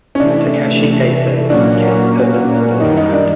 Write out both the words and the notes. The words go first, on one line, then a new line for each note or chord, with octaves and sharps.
Takashi Kato became a permanent member of the band.
C#4
C3 E3 A3 D4
A#2 F#3 A#3 C#4 D4 F#4
F#2 D#3 G3 D#4
D#4
D4